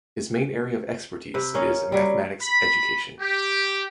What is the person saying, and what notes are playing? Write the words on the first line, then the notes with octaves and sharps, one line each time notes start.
His main area of expertise is mathematics education.
C3 B4
A#3 C#4 D#5 F5
F#3 G3
B5
G4